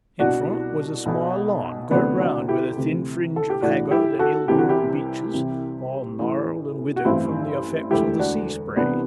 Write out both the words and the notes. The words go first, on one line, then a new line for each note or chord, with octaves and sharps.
In front was a small lawn, girt round with a thin fringe of haggard and ill grown beeches, all gnarled and withered from the effects of the sea-spray.
C2 B2 D4 F#4
B1 B2
D2 C3 E3 B3 D4
D4 F#4
E4 G4
D2 C3 E3
A4
G4
B1 A2 E3 D4 F#4
E4 G4
F#4 A4
C2 C3 E3 G4
F#4
E4 G4
C2 C3 E3
A1 A2 E3
F#4
A1 G2 E3 C4 E4
E1 D2 D3 E4 G4
D4 F#4
C2 C3 E3 B3 D4